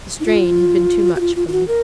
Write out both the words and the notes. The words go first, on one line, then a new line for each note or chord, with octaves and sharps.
The strain had been too much for me.
D#4
F4
F#4
F4
F4
F4
F#4
A#4